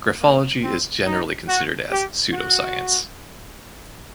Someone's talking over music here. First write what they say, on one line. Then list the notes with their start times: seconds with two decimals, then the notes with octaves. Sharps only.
Graphology is generally considered as pseudoscience.
0.21 A#3
0.64 C4
1.06 D#4
1.49 F#4
1.91 G4
2.34 F#4